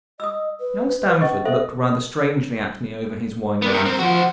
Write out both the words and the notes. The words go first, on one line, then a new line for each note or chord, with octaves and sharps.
Young Stamford looked rather strangely at me over his wine-glass.
D#5 D#6 E6
B4
C#4 D#5 C#6
A4 C5 E5
B3 D4 A#4
G2 A#5
F2 C4
F3 F#4 C5 F#5